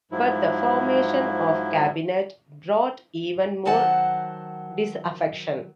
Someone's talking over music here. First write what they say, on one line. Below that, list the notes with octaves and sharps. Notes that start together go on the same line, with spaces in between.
But the formation of Cabinet brought even more disaffection.
G#2 F3 F#3 E4
D#3 F#3 C5 F#5 A5